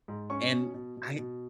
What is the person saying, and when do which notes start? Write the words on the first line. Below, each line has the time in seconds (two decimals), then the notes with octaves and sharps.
And I
0.08 G#2
0.30 C#4 C#6
0.52 B2
0.74 B2
0.97 B2
1.19 B2